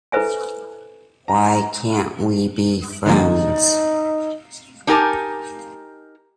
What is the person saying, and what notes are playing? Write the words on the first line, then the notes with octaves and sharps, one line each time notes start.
Why Can't We Be Friends?
E4 A4 B4 C5 E5 G#5
A#5
D3 F3 A#3 D#4
D4 D#4 G4 A#4 G#5 A5